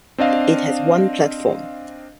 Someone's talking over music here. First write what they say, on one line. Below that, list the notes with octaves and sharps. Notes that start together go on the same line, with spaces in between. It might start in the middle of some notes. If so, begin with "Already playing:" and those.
It has One platform.
C4 D4 D#5 F5